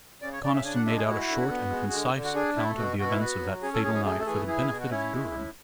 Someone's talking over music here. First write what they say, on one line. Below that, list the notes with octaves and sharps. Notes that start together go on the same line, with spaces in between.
Conniston made out a short and concise account of the events of that fatal night, for the benefit of Durham.
C#3 D5
C#5
C#3 D5
E5
D4 G#5
F#5
G#3 E5
G#4
E4 F#4
D3
B3
G#3
D3
D3
F#4
D4 G#4
A3 E4
B2 F#4
B2 F#4
E4
B3 F#4
F#3
C#4 G#4
A4
F#2 G#4
G#4
A3 G#4
A4
E3 G#4
E4 G#4
B2
F#4
C#4 E4
G#3
A2